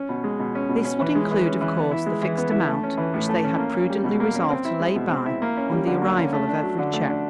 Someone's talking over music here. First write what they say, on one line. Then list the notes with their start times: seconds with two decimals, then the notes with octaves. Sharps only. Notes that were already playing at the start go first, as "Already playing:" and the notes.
This would include, of course, the fixed amount which they had prudently resolved to lay by on the arrival of every cheque.
Already playing: C#4
0.09 B2
0.24 G#3
0.39 B2
0.55 C#4
0.69 B2
0.85 C#4
1.00 E3
1.15 G#3
1.31 E3
1.46 C#4
1.61 E3
1.77 B3
1.91 E4
2.06 G#3
2.23 E3
2.38 B3
2.52 E4
2.67 A3
2.83 C#4
2.97 E3
3.14 A2
3.29 A3
3.44 C#4
3.59 A#3
3.74 C#4
3.90 G3
4.04 B2
4.20 A#3
4.35 C#4
4.50 C4
4.65 E4
4.80 G#3
4.95 B2
5.11 C4
5.26 E4
5.42 A#3
5.57 C#4
5.71 G3
5.87 D3
6.02 A#3
6.17 C#4
6.33 A3
6.48 D4
6.63 F#3
6.79 D3
6.93 A3
7.08 D4